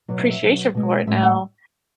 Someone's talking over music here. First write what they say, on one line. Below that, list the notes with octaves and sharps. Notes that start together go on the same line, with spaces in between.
appreciation for it now.
B2 F#3 D5
E5
E5
B2 F#3
B2 G#3
A2 G#3 E5
F#5